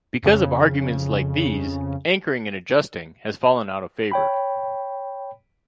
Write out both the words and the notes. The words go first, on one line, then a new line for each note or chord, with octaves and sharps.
Because of arguments like these, anchoring-and-adjusting has fallen out of favor.
F2 C#3
C#5 G5 B5